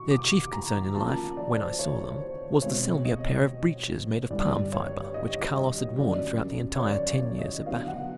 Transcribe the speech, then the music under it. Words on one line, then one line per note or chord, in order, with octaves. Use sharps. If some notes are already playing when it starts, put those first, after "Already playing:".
Their chief concern in life, when I saw them, was to sell me a pair of breeches made of palm-fibre which Carlos had worn throughout the entire ten years of battle.
Already playing: B2 C#6
D6
A#5
C#3 F3 A#3 C#4 A5
D5
C5
C#5
C5
B2 G#3 C4 C#5
D#5
G2 D3 G3 D5
C#5
D#5
D#5
F#2 D3 F#3 D5
C#5
D5
C#5
D#5
D3 F#3 B3 F5
F#5